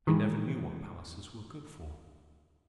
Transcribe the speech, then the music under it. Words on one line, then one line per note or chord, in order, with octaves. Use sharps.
I never knew what palaces were good for.
D#3 E3 G#3